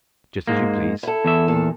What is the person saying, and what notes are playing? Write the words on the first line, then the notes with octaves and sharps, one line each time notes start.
"Just as you please."
G#2 G#3 A#3
E4 A4
E2 E5
A#2 D#3 A4